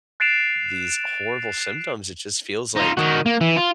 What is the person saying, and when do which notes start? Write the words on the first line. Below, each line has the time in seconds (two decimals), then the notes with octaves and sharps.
these horrible symptoms, it just feels like,
0.20 F#6 A6 C7 D7 E7 F7
2.76 D#4 F4
2.97 D#3 F#4
3.26 A#3
3.41 E3
3.56 F4